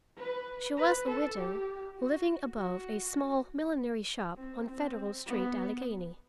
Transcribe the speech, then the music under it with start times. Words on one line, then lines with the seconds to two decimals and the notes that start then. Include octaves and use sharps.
She was a widow, living above a small millinery shop on Federal Street, Allegheny.
0.17 B4
0.77 B4
1.08 A4
1.37 G4
1.98 F#4
2.57 F#4
4.37 C4
4.66 C4
5.27 B3